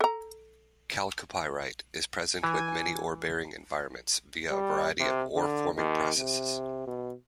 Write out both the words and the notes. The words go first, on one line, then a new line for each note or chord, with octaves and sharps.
Chalcopyrite is present with many ore-bearing environments via a variety of ore forming processes.
A4 A#5
E3 G#5
G3
C3
D3
D#2
C3
B2